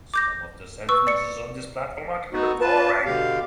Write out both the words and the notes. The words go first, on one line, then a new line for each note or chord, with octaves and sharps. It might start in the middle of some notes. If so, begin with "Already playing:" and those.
Some of the sentences on this platform are kind of boring.
D6 G6 A#6
B4 C#6 E6
D5 C#7
B3 D#4 F#4
F4 B4 A5
B2 D3 G4 F5